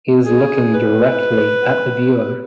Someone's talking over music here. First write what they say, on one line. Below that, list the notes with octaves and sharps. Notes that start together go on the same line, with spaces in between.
He is looking directly at the viewer.
G#4
B4